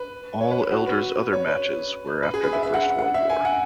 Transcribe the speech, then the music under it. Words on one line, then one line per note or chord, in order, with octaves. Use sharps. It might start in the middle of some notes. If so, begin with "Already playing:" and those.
All Elder's other matches were after the First World War.
Already playing: B4
C#5
B4
B4
F#4
B4
C#5
B4
B4
G#4
B4
E5
E5
F#5
F#5
E5
G#5
F#5